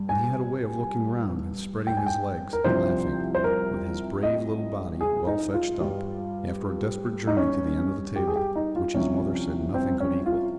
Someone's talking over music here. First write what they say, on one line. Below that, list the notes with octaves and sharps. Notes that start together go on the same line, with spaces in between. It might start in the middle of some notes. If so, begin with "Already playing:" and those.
And he had a way of looking round, and spreading his legs, and laughing, with his brave little body well fetched up, after a desperate journey to the end of the table, which his mother said nothing could equal.
Already playing: G2 G3
G#5
G5
G#5
G5
A#4
C2 C3 F3 C5
C5
A#4
D#5
G#4
D#4
F4
G2 G3
D#4
C#4
G4
G#4
G4
D#4
F4
C2 C3 F3 C#4
C4
C#4
F4